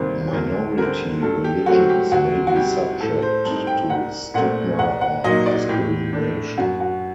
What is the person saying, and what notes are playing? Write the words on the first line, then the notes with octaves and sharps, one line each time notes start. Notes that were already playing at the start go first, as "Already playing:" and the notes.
Minority religions may be subject to stigma or discrimination.
Already playing: D2 C3 D#3 G3 A#3 C5
D2 A#4
D3 G3 C4 A#4
G2 A4
G4
F#3 A3 C4 F#4
G4
D2 F#4
F#4
C3 G3 G4
A2 A4
C5
G3 C4 D#4 A5
G5
C2 F#5
A#2 A3 C4 F#5
C2 F#5
F#5
A#2 F#3 A#3 D#4 D#5
D5
A2 G4
A3 D4
F#2 F#4
F#4